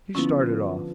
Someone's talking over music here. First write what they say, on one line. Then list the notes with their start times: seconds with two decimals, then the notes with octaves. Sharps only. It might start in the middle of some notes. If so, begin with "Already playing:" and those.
He started off.
0.15 D3 F3 B3 C#4 E4